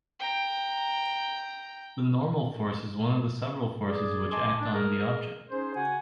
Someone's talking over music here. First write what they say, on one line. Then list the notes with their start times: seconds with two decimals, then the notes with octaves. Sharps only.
The normal force is one of several forces which act on the object.
0.19 G5 A#5
3.87 G#4 D5
4.31 D#5 G#5 A5 C6 D6
4.60 D4
4.73 G#4 A#4
5.50 C#4 D#4 G#4 C5
5.75 C#3 F#4 F#5 G#5